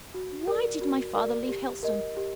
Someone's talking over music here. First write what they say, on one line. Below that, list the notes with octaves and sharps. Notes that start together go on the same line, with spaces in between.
Why did my father leave Helstone?
F#4
A#4 D5
F#4
A#4 D5
G4
A#4 D#5
G4